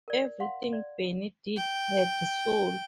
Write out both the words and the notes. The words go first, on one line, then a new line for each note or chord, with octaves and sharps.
Everything Bernie did had soul.
A#4 D5
F5 F#5 C6
D5
G5